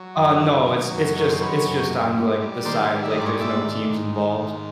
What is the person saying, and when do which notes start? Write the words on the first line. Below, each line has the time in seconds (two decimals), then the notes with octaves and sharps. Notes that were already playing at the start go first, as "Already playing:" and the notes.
Uh, no. It's it's just it's just on, like, the side, like, there's no teams involved.
Already playing: F#3
0.16 F#2
0.42 D#3
0.66 F#3
0.91 F#2
1.16 D#3 C#5
1.29 C5
1.41 F#3 B4 C#5
1.66 F#2
1.91 G#2
2.15 G3
2.41 G3
2.65 D#3 C5 D5
2.90 G3
3.03 E5
3.11 D#5
3.15 G#2 D5
3.25 C#5 D#5
3.40 G#2 D5 E5
3.64 D#3
3.90 G#2
4.15 D#3
4.40 G#2